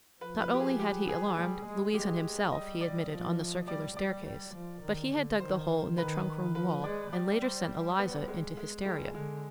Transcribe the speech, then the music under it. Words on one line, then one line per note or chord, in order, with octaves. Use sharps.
Not only had he alarmed--Louise and himself, he admitted--on the circular staircase, but he had dug the hole in the trunk-room wall, and later sent Eliza into hysteria.
F3 B4
B4
G4
G#4
G4
G#4
G3
G#3
G#3 G4
G3 D#5
D5
F3
G3 D5
G3 D5
G3
F3
D#3
D3
D#3 C5
D#3 B4
F3 B4
G#3 D5
G3 D5
C5
B3
G#3
G#3
G3 G#3
D3 G#3